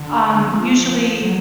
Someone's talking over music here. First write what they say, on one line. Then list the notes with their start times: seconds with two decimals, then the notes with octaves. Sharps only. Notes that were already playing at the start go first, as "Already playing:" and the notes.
um, usually
Already playing: D3
0.47 F3
1.22 F#3